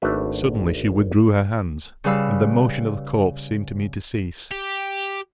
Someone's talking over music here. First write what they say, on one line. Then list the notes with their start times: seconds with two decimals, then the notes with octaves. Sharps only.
Suddenly she withdrew her hands, and the motion of the corpse seemed to me to cease.
0.02 G#1 A3 D4 F#4 B4 E5
2.04 C#3 G3 B4 F5 E6
4.51 G4